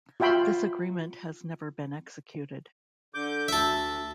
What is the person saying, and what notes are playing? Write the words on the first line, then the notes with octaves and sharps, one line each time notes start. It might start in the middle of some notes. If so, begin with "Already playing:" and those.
This agreement has never been executed.
F4 F#4 E5 G5 B5 C6
D3 D6 G6
D2 A4 E5